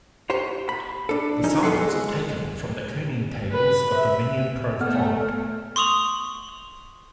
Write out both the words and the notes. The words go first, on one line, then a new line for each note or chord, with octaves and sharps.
The samples are taken from the kerning tables of the Minion Pro font.
G4 C5 C#5
B5
D4 A4
F3 C#4 D#4
F2 B3 A4 F#5 C6
G#3
B4
E5
A3 B3 F#5 F6
C6 C#6 D#6 F7 F#7